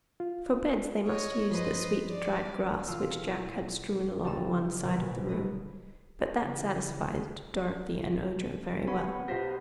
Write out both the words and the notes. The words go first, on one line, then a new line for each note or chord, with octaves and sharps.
For beds they must use the sweet dried grasses which Jack had strewn along one side of the room, but that satisfied Dorothy and Ojo very well.
F4
C#5 D#5
G2 F3 B4 C5 D#5
D5
E1 F4 E6
C#3 G3 B3 D#4 A4 E7
A#1 B2 D3 F#3 G#3
A3 B4 D#5
C#3 E3 F#3 G4
C3 B3 C#4 B5
B1 F4 G4 C5 A#6